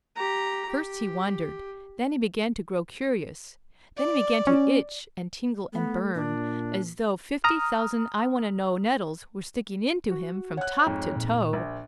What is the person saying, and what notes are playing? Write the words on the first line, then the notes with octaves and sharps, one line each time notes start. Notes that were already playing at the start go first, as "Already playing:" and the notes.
First he wondered; then he began to grow curious; then he began to itch and tingle and burn as though fifty thousand I-want-to-know nettles were sticking into him from top to toe.
G4 A#5
G4
D5
C#4
A3 B3
A#2 D4
A#5 D#6 F6
F#4
C#5 F#5 F#6
F2 G#2
A#2
A#1